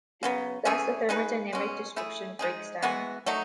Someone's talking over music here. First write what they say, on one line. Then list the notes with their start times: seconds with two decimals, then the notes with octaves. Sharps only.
Thus, a thermodynamic description breaks down.
0.23 C#3 F#3 B3
0.65 E3 A3 C#4 G#4
1.09 G#3 D#4 G#4 B4
1.53 B2 G#3 C#4
1.96 A3 E4 G#4
2.39 G#3 D#4 G#4
2.82 E3 G#3 B3 F#4
3.26 F#3 A3 D#4